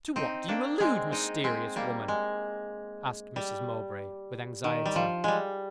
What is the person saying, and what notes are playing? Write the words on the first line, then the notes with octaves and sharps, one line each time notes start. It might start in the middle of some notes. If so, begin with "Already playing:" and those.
"To what do you allude, mysterious woman?" asked Mrs. Mowbray, with anxiety.
C4 D#4
A#3 D4
G#3 C4
C4 D#4
G#3 C4
G3 A#3
G#3
G3
D#3
G3
F3
G3 G#3